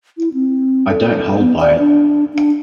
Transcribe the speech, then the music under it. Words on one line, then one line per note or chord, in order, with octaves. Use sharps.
I don’t hold by it.
E4
C4
A4
B3
D5
D4
D4